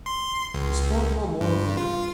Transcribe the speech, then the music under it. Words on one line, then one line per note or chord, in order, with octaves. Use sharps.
She spoke no more of the "woman."
C6
C#2
G2
F4